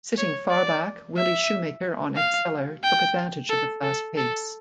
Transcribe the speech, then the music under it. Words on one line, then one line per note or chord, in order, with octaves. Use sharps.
Sitting far back, Willie Shoemaker on Exceller took advantage of the fast pace.
C#5
D5
E5
F5
G5
A4
A4
A4